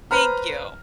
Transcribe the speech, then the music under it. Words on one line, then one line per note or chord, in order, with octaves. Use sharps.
Thank you.
B4 C5 A#5 B5 F6